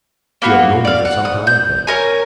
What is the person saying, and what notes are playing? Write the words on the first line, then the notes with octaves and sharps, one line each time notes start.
"You have known him for some time, then?"
A#3 B3 F4 F#4
D5 F5
F#5
D#6
G6
C#4 A#4 G#5